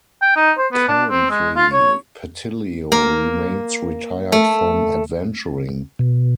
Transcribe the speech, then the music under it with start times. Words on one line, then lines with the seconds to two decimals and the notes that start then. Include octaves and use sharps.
Currently, Patilio remains retired from adventuring.
0.22 G5
0.36 D#4
0.58 C5
0.72 B3
0.88 D4
1.10 C4
1.30 G#3
1.56 F4
1.72 C#5
2.92 A#3
4.32 A3
5.99 B2